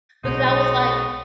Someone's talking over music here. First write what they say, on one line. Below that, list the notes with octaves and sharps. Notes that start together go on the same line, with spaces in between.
because I was like
B1 B2 G#3 D#4 F#4